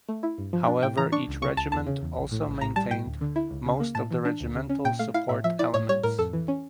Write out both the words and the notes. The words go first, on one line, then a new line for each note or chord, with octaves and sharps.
However each regiment also maintained most of the regimental support elements.
A3
E4
G2
F3
D4
A2 G5
E3 A#5
D4 C#6
C#2
C#3 C#6
C#2 A5
E2 A5
C#3
E2
A#1
A2
A#1
A2 A#5
G3 A5
A2 G5
D2
D3
E4
C#2
C#3
A#3
A2 A5
E3
D4
D2
C#3
C#4
A#2 G5
A3 F5
E4 F5
A2 E5
F3 E5
E4 D5
A2 C#5
G3 C#5
A2 A#4
F2 A4
E3
C#4